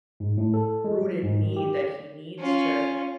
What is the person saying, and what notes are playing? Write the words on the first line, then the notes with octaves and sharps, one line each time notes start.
rooted need that he needs to
G#2
A2
A4
G#3
F#3
G#2
D#3
G4
C#4 F4